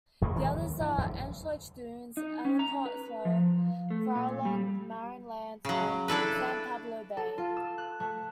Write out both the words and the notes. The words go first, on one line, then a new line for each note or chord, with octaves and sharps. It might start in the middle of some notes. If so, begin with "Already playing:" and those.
The others are: Antioch Dunes, Ellicott Slough, Farallon, Marin Islands, and San Pablo Bay.
F1 F2 D#3 A#3
D#3 F3 G#3
D#2
G2 E3
F#1 E2 D3
D#4
C#4
A#5
B4
F3
A3
A#2
G3
C#3 F#3
D4 E4 A4 B4
A4
F4
E6
F#6
A3